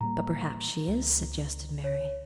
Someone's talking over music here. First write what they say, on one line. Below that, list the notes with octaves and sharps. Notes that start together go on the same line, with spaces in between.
"But perhaps she is," suggested Mary.
A2 G3 A#3 A#5
C#2
C#5